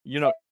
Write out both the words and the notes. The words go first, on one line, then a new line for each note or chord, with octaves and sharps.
you know
E5